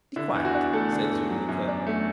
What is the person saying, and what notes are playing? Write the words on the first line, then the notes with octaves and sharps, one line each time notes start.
"Be quiet," said Zuleika.
D3 E4
E2
F#4
D4
A3 A4
D3
E2
F#3
F#2
D4
A3